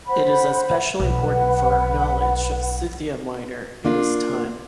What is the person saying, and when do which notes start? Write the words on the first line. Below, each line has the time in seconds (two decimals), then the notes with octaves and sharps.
It is especially important for our knowledge of Scythia Minor in his time.
0.06 C5 F#5 B5
1.00 B1 B4 F#5
3.85 A#3 D4 F4